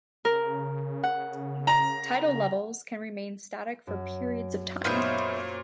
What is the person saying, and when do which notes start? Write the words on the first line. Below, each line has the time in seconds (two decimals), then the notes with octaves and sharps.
Tidal levels can remain static for periods of time.
0.25 C#3 A#4
1.03 F#5
1.67 A#5
3.87 F#2
4.84 A#2 B3 D#4 C5 C#5 E5 F6 G6